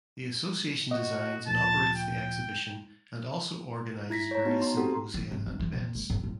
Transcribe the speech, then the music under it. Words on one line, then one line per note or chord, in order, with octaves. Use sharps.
The association designs and operates the exhibition and also organizes various symposia and events.
F#4 D#5
D2 A#2 F3 A5
G5
E4 G#6 A#6 B6
C#5 A#5
B3 D#4 F#4
A#5 C6
C4 F#4 G4 A4
E3
G#1
D#3
E3
A#2
G#3
G#2
A2